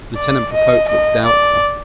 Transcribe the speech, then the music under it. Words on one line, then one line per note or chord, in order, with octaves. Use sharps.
Lieutenant Procope looked doubtful.
D5
D#5
D#5
D5